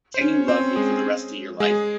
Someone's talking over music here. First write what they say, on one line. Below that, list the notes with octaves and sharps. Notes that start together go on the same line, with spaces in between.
Can you love me for the rest of your life?
C5
C#4 C#5
C4 C5
G#3 G#4
G#3 G#4